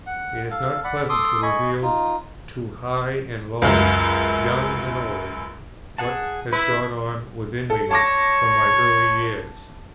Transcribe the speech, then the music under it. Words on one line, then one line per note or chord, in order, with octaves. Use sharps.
It is not pleasant to reveal to high and low, young and old, what has gone on within me from my early years.
F#5
A4 F5
D5 F#5 B5
A4 C6 D6 D#6
D#5 G#5 B5 C#6
D#4 F4
C#2 F#2
G#4 F#5 A5
E4 B4 B5
A4
C#5 A5 D6 A#6